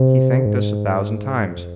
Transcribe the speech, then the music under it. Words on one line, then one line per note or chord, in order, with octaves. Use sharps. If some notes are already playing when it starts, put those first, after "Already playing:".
He thanked us a thousand times.
Already playing: C3
G#2
F2